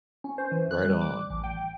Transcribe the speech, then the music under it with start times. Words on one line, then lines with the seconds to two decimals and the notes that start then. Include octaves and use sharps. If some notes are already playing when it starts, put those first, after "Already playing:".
Right on.
0.24 C#4
0.38 C5
0.52 E3
0.71 F#6
0.85 G3
1.01 D6
1.30 A1
1.44 G5